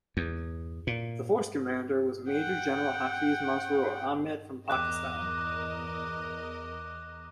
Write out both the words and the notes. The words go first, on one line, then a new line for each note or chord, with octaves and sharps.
The force commander was Major-General Hafiz Masroor Ahmed from Pakistan.
E2
A#2
F#5 G5
E2 A#4 D#5 D6 F#6 E7